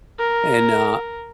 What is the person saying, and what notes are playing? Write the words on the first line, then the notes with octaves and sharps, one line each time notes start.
and, uh,
A#4